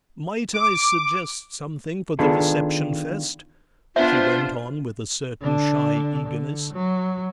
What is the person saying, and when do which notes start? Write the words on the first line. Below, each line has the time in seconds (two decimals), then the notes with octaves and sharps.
"Might I suggest something for the Reception Fest?" she went on, with a certain shy eagerness.
0.54 D6
2.19 D#3 B3 D4 F4 G#4 A4
3.96 B3 D4 F4 C5 E5
5.41 D3 D4
6.26 D3
6.73 F#3